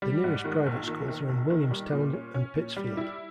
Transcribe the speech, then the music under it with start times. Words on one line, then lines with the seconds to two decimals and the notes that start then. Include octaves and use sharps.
The nearest private schools are in Williamstown and Pittsfield.
0.02 G3
0.24 G#2
0.45 D#3
0.66 A#1
0.87 D#3
1.08 D#3
1.29 A#1
1.50 D#3
1.71 G3
1.92 A#2
2.13 C#4
2.34 C#4
2.55 A#2
2.77 G3
2.97 E4